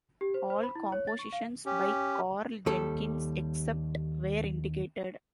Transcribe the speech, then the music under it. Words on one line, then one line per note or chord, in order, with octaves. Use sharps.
All compositions by Karl Jenkins except where indicated.
G4
C5
C5
B5
E4
C#5
A6
C#6
F5
C#4 G4
D#2 G3 A4